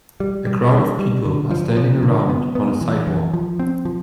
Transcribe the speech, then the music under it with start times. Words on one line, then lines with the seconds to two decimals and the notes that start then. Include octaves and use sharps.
A crowd of people are standing around on a sidewalk.
0.20 G3
0.47 G3
0.73 G3
0.99 G3
1.25 D3
1.51 F3
1.77 F3
2.03 D3
2.29 B3
2.55 B3
2.81 E3
3.07 E3
3.34 F3
3.59 C4
3.85 F3